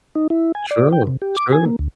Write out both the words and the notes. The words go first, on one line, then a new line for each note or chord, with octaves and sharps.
True, true,
D#4
E4
G#5
D5
G5
C3
G4
D6
G#5
A#3
D2